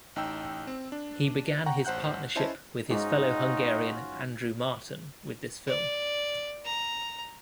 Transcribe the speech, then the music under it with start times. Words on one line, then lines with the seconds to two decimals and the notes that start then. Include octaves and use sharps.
He began his partnership with his fellow Hungarian Andrew Marton with this film.
0.16 A1 D#4 G5 E6
0.67 C4
0.92 D4
1.66 F#5 G5 A#5 C#6
1.85 A1 C5 F#5 F#6 G6
2.35 C#4 E4 C5 C#5 D#5 A5
2.90 G#2 C#4 D#4 F4 F#4
5.67 D5
6.65 A#5